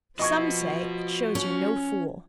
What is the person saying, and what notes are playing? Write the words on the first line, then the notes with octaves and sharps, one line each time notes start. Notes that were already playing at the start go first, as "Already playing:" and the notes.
Some say "it shows you're no fool."
F3 F#4 B4 D#5 C#6 G#6
C#4